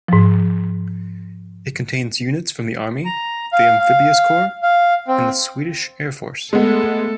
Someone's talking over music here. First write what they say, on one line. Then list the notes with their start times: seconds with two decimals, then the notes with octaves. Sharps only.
It contains units from the Army, the Amphibious Corps and the Swedish Air Force.
0.08 G#2 F3
3.05 A#5
3.53 F5
3.79 F5
4.63 F5
5.08 C4
6.53 G#3 A3 B3 A4